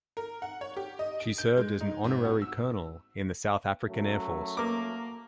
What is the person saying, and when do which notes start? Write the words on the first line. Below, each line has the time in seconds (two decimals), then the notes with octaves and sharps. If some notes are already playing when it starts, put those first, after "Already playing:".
She served as an Honorary Colonel in the South African Air Force.
0.17 A#4
0.42 F#5
0.61 C#5
0.77 G4
0.99 D#5
1.20 D7
1.38 G6
1.57 G#3
1.81 D#4
2.04 G#1
2.25 F#4
2.42 E6
3.87 F#2 F#3 A3
4.57 A#3 D6